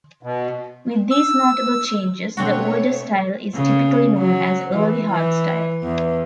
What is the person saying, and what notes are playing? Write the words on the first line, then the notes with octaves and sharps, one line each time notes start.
With these notable changes, the older style is typically known as "early hardstyle".
B2
E6
B2 A3 C4 D4 F#4 C#5
C#3
F#3
E3
E3
E2